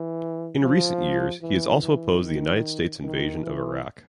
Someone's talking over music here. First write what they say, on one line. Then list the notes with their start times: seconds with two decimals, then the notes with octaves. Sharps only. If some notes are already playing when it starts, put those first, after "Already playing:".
In recent years, he has also opposed the United States' invasion of Iraq.
Already playing: E3
0.62 F3
1.42 E3
1.82 E3
2.23 D#3
3.03 D#3
3.43 E3